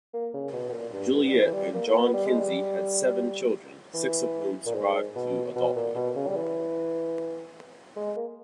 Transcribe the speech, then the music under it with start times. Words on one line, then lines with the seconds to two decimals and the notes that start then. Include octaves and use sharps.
Juliette and John Kinzie had seven children, six of whom survived to adulthood.
0.14 A#3
0.34 C#3
0.53 B2
0.69 B2
0.73 A#2
0.94 G2
1.14 G2
1.28 G3
1.34 E3
1.45 E3
1.54 G3
1.74 A#3
1.87 A#3
1.95 B3
2.14 G3
2.26 G#3
2.38 G3
3.94 E3
4.66 A#2
4.75 G#2
5.16 B2
5.56 B2
5.76 A#2
5.95 B2
6.16 C#3
6.27 G3
6.36 E3
7.97 G#3
8.17 A#3